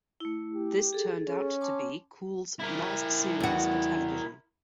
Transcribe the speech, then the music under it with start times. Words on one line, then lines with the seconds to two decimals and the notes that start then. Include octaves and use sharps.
This turned out to be Cool's last series for television.
0.20 A3 E4
0.54 G4
0.93 G#4 A4
1.28 C#4
1.61 A5 C6 D6
2.59 E4 A#4
3.40 E2 F#4